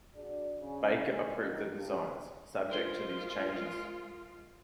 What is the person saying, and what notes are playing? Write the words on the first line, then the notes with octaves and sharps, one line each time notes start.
Baker approved the designs, subject to these changes.
D4 F#4 G#4 D5
C#3
G#2 G#3 A3
D#3 E3 F#3 A#3 D#4
G2
G#3 F4 A#4 C5